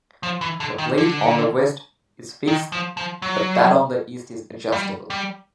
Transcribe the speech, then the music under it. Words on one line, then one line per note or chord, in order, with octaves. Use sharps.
The plate on the west is fixed, but that on the east is adjustable.
F3
E3
D3
D#3
D3
D#3
F3
F3
F#3
G3
G3